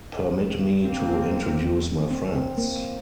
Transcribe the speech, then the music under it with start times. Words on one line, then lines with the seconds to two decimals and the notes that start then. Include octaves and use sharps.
Permit me to introduce my friends.
0.82 A#3 C4
2.11 C4
2.35 C4
2.58 A#3